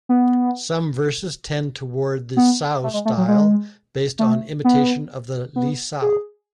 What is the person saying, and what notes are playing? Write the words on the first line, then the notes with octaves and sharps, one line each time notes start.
Some verses tend towards the "sao" style, based on imitation of the "Li sao".
B3
B3
A3
G#3
A3
F#3
G#3
A3
B3
B3
G#4